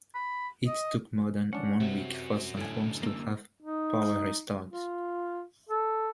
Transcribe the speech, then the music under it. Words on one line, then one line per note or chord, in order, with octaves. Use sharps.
It took more than one week for some homes to have power restored.
B5
D#5
C#4 D4 D5 F#5
F#2 C3 F#3
F#2 A2 D3 G#5
A#3 E6
D#4
F4
A4